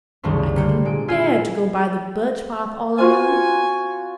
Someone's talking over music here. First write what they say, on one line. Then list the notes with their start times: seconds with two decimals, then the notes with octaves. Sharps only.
I couldn't bear to go by the Birch Path all alone.
0.23 F#1 C2 D#3 G3 A3 C4
0.56 D3 G3 A#3 C4 C#7
0.85 A#2 G#3 D7
1.08 F4 G#5 E6 F6 C7
2.99 C4 F4 F#4 G#5